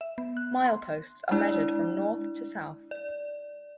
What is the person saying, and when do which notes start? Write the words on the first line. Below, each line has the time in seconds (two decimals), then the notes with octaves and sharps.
Mileposts are measured from north to south.
0.01 E5
0.18 B3
0.37 F#6
0.66 C6
1.31 G#3 D4 E4 D5
2.91 D5